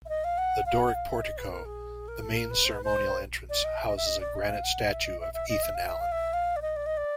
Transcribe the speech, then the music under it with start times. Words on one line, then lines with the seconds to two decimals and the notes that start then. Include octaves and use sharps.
The Doric portico, the main ceremonial entrance, houses a granite statue of Ethan Allen.
0.05 E5
0.09 D#5
0.24 F5
0.38 F#5
0.66 F5
0.80 F#5
0.95 F5
1.09 E5
1.23 D#5
1.38 B4
1.51 A#4
1.65 G#4
2.08 A#4
2.22 A4
2.37 A#4
2.50 B4
2.65 C5
2.74 B4
2.84 C5
3.49 D5
3.64 D#5
3.77 E5
3.87 D#5
3.97 E5
4.06 D#5
4.20 D5
4.35 D#5
4.49 F5
4.63 F#5
4.91 E5
5.05 D#5
5.20 E5
5.34 E5
5.48 D#5
5.63 E5
5.75 F5
5.87 E5
6.00 F5
6.12 E5
6.33 F5
6.56 D5
6.62 D#5
6.76 D5
6.86 D#5
6.97 D5